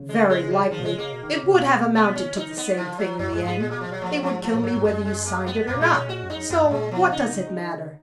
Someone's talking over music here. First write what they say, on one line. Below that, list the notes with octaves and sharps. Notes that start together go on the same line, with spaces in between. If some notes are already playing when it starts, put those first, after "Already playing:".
"Very likely it would have amounted to the same thing in the end--they would kill me whether you signed it or not; so what does it matter?"
Already playing: C#3
G#3
G#3
F3
D#3 F3
B2
C#3 G#3
C#3 A#3
B2
D#3
C#3
C#3
B2
B3
C#4
D#4
B3
F3
F#3
F#2 F#3
F#2 G#3
G#2
B3
A#2 G#3
B2 A#3
F3
B2 F#3
A#2 F3
G#2 F3
A#2 F3
A#2
G#2 F#3
G#2
F#2 G#3
G#3
A#3
B3
F#2 A#3
B2
A#2 G#3
B2 C#4
A#2 F#4
F#2
D#4
F#2
F#2 B3
G#2
B2 G#3
A#2
B2 F3
C#3 D#4
B2
C#3
C#3
D#3
C#3